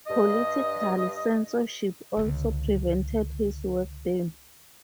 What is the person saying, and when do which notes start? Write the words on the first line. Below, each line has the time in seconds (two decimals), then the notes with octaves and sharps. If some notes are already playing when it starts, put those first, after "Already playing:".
Political censorship also prevented his work there.
0.07 G2 D#5
2.17 C#2 D3